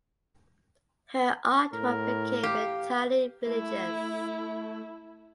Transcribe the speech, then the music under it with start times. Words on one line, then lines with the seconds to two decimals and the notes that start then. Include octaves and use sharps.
Her artwork became entirely religious.
1.73 A2 A#4
2.43 G4 F5
3.47 A3 E4